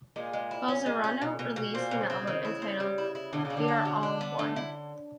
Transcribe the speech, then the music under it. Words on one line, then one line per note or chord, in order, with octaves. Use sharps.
Falzarano released an album entitled "We Are All One".
A#2 G#3
G#3
E4
C#4
G#3
C#4
B2
B2
B2
A#2 C4
B2
C#3
C4
D#3
E4
C4
G3
E4
E4
B2 D3
C#3
D4
D3
D4
B2
D4
B3
D3 A3
E4